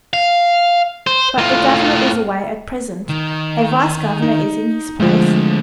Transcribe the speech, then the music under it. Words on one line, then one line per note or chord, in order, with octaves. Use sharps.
But the governor is away at present; a vice-governor is in his place.
F5
C5
A2 F4
D#3
D#4
A2 D3 F3 G#3